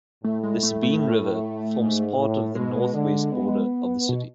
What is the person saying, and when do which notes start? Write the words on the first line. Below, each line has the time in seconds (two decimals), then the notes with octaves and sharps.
The Sabine River forms part of the northwest border of the city.
0.24 A2 A3
0.43 G#3
0.63 A3
0.83 A3
1.78 G#2
2.17 A2
2.55 B2 G#3
2.94 D3
3.32 B3
4.09 B2